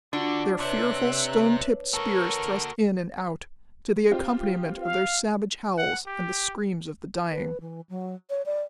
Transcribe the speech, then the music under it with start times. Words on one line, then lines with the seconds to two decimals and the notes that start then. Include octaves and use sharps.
Their fearful stone-tipped spears thrust in and out, to the accompaniment of their savage howls and the screams of the dying.
0.13 D3 D4 F4 F#4
0.60 C3 B4 C#5 E5 F#6
1.93 F#4 A4 A#4 C#6
4.11 C4 F4 G4
4.82 F5
5.78 F#5
6.07 G4
7.32 B4
7.61 E3
7.89 F#3
8.30 C#5
8.46 D5